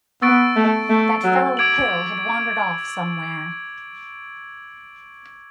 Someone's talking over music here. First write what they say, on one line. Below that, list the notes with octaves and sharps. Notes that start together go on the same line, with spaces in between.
That fellow Hill had wandered off somewhere.
B3 C#6 E6 A6 D7
A3
A3
F#3
D6 G#6 D7 F#7